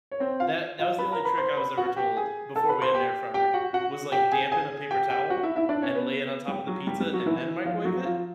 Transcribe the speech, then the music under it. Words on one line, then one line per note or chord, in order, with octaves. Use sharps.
That that was the only trick I was ever told before we had an air fryer, was, like, dampen a paper towel, and lay it on top of the pizza, and then microwave it,
C#5
C4 C5
F4 F5
F4 F5
B4 B5
A#4 A#5
B4 B5
C5 C6
B4 B5
F#4 F#5
G4 G5
G#4 G#5
A4 A5
B4 B5
C5 C6
G4 G5
G4 G5
F#4 F#5
F#4 F#5
G4 G5
G#4 G#5
G#4 G#5
G4 G5
G4 G5
F#4 F#5
E4 E5
E4 E5
D4 D5
C#4 C#5
B3 B4
G3 G4
F#3 F#4
G3 G4
G3 G4
F#3 F#4
E3 E4
F3 F4
F#3 F#4
F3 F4